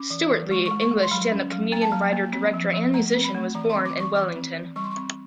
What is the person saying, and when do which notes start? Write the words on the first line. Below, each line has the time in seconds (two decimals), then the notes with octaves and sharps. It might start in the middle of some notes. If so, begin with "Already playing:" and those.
Stewart Lee, English stand-up comedian, writer, director and musician, was born in Wellington.
Already playing: C#4 D6
0.10 E3
0.31 E3
0.51 G#3 C#6
0.66 C#6
0.71 G#3
0.81 C#6
0.91 G#3
1.03 C6
1.11 F#3 B5
1.32 C#4
1.52 F#3
1.72 A#3 A#5
1.82 A5
1.92 F#3 A#5
2.13 A#3
2.33 C4
2.53 F3
2.74 F3
2.94 A3 A#5
3.15 C4
3.24 B5
3.34 A3
3.55 E3 A#5
3.70 C6
3.75 C4
3.85 D6
3.95 E3 C#6
4.16 E3 D6
4.36 C4
4.56 E3
4.76 G3 C#6
4.84 C6
4.91 C#6
4.96 C4